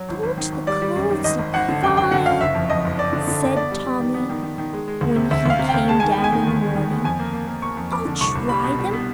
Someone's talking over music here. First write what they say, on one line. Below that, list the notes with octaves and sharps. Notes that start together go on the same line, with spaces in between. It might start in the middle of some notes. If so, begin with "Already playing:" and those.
"Don't the clothes look fine?" said Tommy, when he came down in the morning; "I'll try them on."
Already playing: F#3
G#1
G#1
D#3
G#1
G3 D5
G3
F#2
D#3
G#1 D#5
G#1
G#1 F#5
D3
F#2 G5
G#1 G5
D3 F#5
F#2 F5
F#1 E5
F2
F2 D#5
F#1
F#1 D5
D3
D3
D3
B3 D5
G3
G3
D#3
B3
D#3
D#3
D#3
G#3
G#3
D2
C3
D2 E5
D2 F5
C3
G5
D2
G#3 A5
D#3 G#5
G5
B3
G#5
D#3
D#2
G#3
D#3
B3
F2 G#5
A#3
A#3
A#3
A#3 C#6
F2
F2 D6
D3
C2 C#6
C2
G3 B5
B2
G3
B3